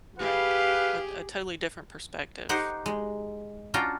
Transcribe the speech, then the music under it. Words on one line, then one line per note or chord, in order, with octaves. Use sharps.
Right. A a totally different perspective.
G4 G#4 B4 F5
D#4 G4 C5 F#5
G#3
C#4 D4 F4 F#4 G5 A#5